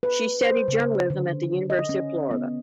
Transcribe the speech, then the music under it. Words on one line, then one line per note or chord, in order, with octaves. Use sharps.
She studied journalism at the University of Florida.
B4
C5
C#3
D3
D#5
C#4
B3